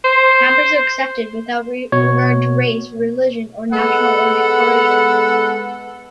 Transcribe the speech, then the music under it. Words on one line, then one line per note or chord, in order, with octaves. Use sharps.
Campers are accepted without regard to race, religion, or national origin.
C5
B2 C#5
G#3 B3 A4 F#5 B5